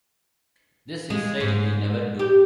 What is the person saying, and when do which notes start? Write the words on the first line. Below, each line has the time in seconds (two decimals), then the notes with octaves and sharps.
This Israel will never do.
1.10 G#3
1.40 G#2
2.19 G4